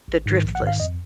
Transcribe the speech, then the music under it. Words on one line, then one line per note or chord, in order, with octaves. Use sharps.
the Driftless
A1
G#2 D#3
A#1
F#5
G#2 D#3
F5
F2 D#5